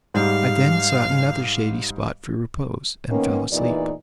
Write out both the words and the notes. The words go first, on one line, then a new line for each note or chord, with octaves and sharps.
I then sought another shady spot for repose, and fell asleep.
G#2 G3 F5
D#3 A#3 B3 C#4
E2 A#2 E3 D#4 D5